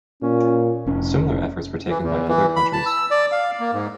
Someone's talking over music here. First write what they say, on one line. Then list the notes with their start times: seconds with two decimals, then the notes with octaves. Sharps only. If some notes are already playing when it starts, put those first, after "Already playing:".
Similar efforts were taken by other countries.
0.22 A#2 C#4
0.86 F1 C#4
1.89 E3
2.02 E2
2.28 E3
2.56 B5
2.73 A5
2.86 E6
3.11 D5
3.32 F5
3.60 A#3
3.73 G#2